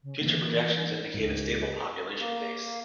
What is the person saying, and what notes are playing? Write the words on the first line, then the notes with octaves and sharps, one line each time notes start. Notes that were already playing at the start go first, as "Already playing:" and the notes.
Future projections indicate a stable population base.
C#3
D3 E3 A#3
A#4
C#2 G#2
G4
A#3